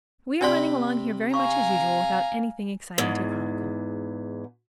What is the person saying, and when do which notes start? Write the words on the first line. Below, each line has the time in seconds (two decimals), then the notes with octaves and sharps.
We are running along here very much as usual without anything exciting to chronicle.
0.41 C3 D4 D5 G5 B5 C6
1.34 F5 G#5 A#5 C#6
2.98 E2 G#2